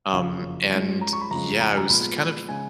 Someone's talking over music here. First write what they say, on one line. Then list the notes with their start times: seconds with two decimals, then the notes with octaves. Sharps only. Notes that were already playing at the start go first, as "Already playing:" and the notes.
Um, and yeah, it was kind of
0.13 F#1 F2 C#3 F3 F5
0.72 G#2 F3 G#3 C#4
1.01 A#5
1.13 C#6
1.21 B5
1.31 F2 C#3 F3 G#3 A#5
1.60 A#5
1.69 G#5
1.77 A#5
1.90 A#2 F3 G#3 B3 B5
2.49 C#3 G#3 G#5